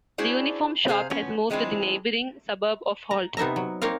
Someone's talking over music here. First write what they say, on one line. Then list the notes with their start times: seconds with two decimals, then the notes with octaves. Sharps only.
The Uniform Shop has moved to the neighbouring suburb of Holt.
0.18 D4 E4 F#4 G#4 C5 D5
0.88 C3 G#4 C5 F5
1.10 F3 B3 C#4
1.50 E3 G#3 C4 D4 E4 F4
3.11 A#5
3.37 C3 B3 D#4 E5 A#5
3.56 F#3
3.82 A#3 C4 D#4 A#4 C#5 F5